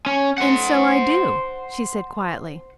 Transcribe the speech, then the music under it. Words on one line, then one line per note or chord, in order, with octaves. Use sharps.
"And so I do," she said, quietly.
C#4
C5 F#5